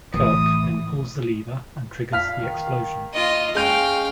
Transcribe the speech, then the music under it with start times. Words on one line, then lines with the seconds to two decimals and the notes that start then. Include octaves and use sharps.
Kirk then pulls the lever and triggers the explosion.
0.14 A1 E3 D#6
2.12 A#2 F5 F6 B6
2.42 D#3
3.13 A#3 F4 D#5
3.55 G#3 C#4 F5 G5 G6